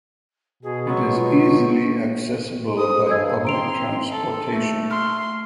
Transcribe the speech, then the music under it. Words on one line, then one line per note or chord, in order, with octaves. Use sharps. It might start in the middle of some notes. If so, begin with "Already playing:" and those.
It is easily accessible by public transportation.
B2 G#4
F#3 G#3 B3 C#6
F4
A4 C5 D#6
G2 G#4 D#5 E6 G#6
C4 A#5 C6 D7 F7
A4
A3
C6 F6